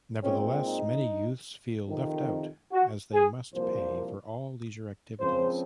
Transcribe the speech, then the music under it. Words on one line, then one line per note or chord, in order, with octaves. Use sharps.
Nevertheless, many youths feel left out, as they must pay for all leisure activities.
A#2 G#3 C4 C#4
D#4
F2 C3 D#3
F#4
G#4
C2 A#2 F3 A#3 C5
C#2 C#3 F3 C4 C5